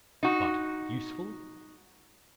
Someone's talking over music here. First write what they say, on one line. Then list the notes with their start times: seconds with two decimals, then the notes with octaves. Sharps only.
But, USEFUL?
0.23 D#4 F#4